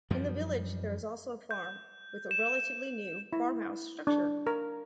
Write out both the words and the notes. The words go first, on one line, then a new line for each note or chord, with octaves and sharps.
In the village there is also a farm, with a relatively new farmhouse structure.
F#2 F3 G3
G6
E7
E4
D4
A#4